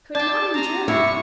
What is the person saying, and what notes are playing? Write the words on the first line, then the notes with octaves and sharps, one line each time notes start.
I could not endure that.
D4 D5 G5 A5
C5 G#5 A#5
G2 C3 E4 C#6